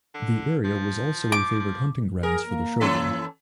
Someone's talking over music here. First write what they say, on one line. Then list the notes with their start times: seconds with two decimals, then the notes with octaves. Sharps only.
The area was also a favored hunting grounds for the Shogun.
0.14 D3
0.64 F3
1.32 D6
1.60 F3
2.23 G#4 A#4
2.47 A#3
2.81 E3 C#4 A4